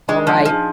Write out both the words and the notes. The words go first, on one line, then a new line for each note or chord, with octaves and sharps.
All right.
G#3 D4
F3
D#4
F3
G#4